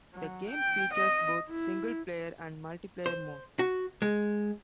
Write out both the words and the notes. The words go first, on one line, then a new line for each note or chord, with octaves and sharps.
The game features both single-player and multiplayer modes.
F#3
G5
D#5
E4
C5
F#4
G#3